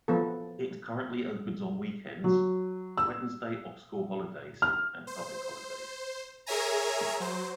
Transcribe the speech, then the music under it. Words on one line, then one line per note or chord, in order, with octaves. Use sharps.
It currently opens on weekends, Wednesday of school holidays, and public holidays.
F3 B3 A4
F#3
E6
F6
C5
G#4 A#4 C#5 E5 G#5 A#5
F#3 C5